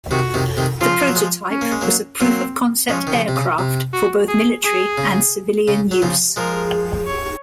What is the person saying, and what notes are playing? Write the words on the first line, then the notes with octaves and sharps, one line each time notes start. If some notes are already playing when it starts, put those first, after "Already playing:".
The prototype was a proof-of-concept aircraft for both military and civilian use.
C3 D#3 F#4
C3 D#3
C3 D#3
C#3 F3 F4
F3
F#3
F3 G#3
C#4
A#3
G#3
F#3 A#3
F#3 A#3 C4
F3 G#3 C#4
D#3
C#3 F3
C3
C#3
C3
F#4
G#4
G#4
C#3
C#3
F#3
C#3 F3
F3 G#3 A#4
C#5